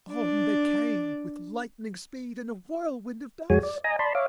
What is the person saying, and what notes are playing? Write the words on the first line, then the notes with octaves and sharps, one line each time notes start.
On they came, with lightning speed, in a whirlwind of dust.
D4 D5
F2 G#3 F#4 G#4 C#5 G#5
D5
D#5 G#5 A#5 D#6
D5 A5 B5 C6
C#5 E5 F5 D6